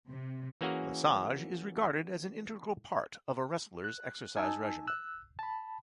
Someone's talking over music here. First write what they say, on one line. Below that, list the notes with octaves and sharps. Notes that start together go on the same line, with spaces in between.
Massage is regarded an integral part of a wrestler's exercise regimen.
C3
E3 A#3 C#4 F#4 G#4 A#4
F#6
D#4 G#5 A5 E6
E6 F#6
A5 B5